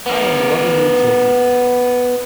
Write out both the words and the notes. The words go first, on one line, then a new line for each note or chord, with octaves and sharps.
I am lovingly taken care of.
B3 A#4